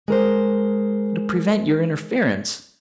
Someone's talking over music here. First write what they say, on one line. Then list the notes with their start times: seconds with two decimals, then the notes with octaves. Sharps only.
"To prevent your interference."
0.08 G#3 A#4 C5